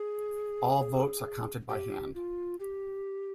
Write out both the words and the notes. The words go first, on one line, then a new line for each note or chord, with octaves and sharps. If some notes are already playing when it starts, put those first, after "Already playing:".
All votes are counted by hand.
Already playing: G#4
G4
F4
G4